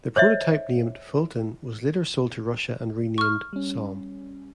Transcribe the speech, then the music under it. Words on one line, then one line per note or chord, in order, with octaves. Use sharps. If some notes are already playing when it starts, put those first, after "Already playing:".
The prototype, named "Fulton", was later sold to Russia, and renamed "Som".
C5 C#5 D#5 E5
C#6 F6
G3 C#4